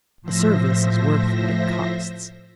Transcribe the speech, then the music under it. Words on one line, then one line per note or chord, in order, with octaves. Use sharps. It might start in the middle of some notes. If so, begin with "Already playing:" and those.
A service is worth what it costs.
A2 F3 C5 E5 A#6